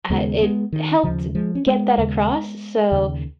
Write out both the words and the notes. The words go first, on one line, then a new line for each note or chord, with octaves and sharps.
uh, it helped get that across, s so
D#2 C#3 G#3 B3
G#3 B3
D#3
D#2 C#3 F3
F3 G#3
C#4
G#3 B3
D#2 C#3
D#2 C#3